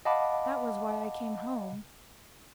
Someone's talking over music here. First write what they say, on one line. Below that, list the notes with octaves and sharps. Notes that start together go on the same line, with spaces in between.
That was why I came home.
D#5 F5 F#5 A5 B5 D6